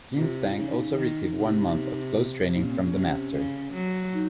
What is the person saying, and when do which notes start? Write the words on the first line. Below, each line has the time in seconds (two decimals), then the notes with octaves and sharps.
Yin Zheng also received one month of closed training from the master.
0.16 C3 F4
0.42 D#4
0.51 F4
0.56 C#3 D#4
0.69 D#4
0.95 D#3
1.35 C3
2.54 A#2 D#4
2.62 C#4
2.71 C4
2.79 C#4
2.94 C3
3.33 C#3
3.74 F#3
4.13 D#4